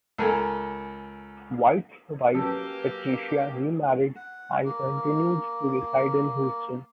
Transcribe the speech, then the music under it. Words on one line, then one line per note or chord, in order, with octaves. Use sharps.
White's wife Patricia remarried and continued to reside in Houston.
C#2 A4 A#4 G#5
F#3 A#3 B3 C#4 G4 A4
F#5
A#3